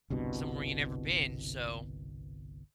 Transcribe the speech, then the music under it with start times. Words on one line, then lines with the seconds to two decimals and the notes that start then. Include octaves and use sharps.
somewhere you never been, so
0.10 G1 C2 G2 B2